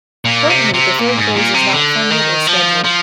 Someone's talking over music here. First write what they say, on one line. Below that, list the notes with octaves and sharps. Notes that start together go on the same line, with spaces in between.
Currently, the third phase is not funded or scheduled.
A#2
C3
C3
A#2
G#2
A#2
C3
D3
D#3
F3
F3